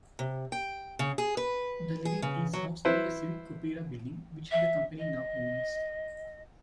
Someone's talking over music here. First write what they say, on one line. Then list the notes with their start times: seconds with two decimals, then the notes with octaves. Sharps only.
The Lyric is housed in the Civic Opera Building, which the company now owns.
0.19 C3
0.52 G5
0.99 C#3
1.18 G#4
1.37 B4
2.05 G#4
2.22 C#3
2.53 F#3
2.85 E4 B4 C5
4.50 E5
4.97 D#5